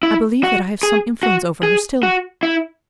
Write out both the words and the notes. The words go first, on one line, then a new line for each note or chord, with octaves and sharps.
I believe that I have some influence over her still.
E4
F#4
G#4
F#4
G#4
F#4
E4